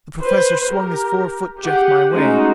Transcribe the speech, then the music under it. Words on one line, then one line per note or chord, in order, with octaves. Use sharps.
The Professor swung his four-foot jet my way.
B4 C5
G4 A#4
G4 G#4 F#5
G#3 A3 C#4 D#4 F#4